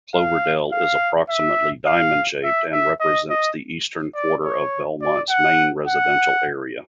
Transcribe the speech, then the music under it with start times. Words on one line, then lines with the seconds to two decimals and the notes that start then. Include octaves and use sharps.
Cloverdale is approximately diamond-shaped, and represents the eastern quarter of Belmont's main residential area.
0.14 F5
0.72 F5
1.29 E5
1.85 F5
2.44 E5
2.72 E5
3.00 D#5
3.30 D#5
4.15 D5
4.44 C#5
5.02 D5
5.29 F#5
5.87 F#5